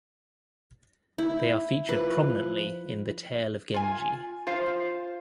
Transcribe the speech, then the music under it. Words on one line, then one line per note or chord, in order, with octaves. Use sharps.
They are featured prominently in "The Tale of Genji".
E4
F3 B4
F4 G#5
F4 C5 F5